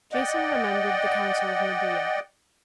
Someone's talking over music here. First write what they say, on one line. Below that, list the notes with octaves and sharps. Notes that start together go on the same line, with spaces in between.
Jason remembered the counsel of Medea.
D5 D#5 F#5 G5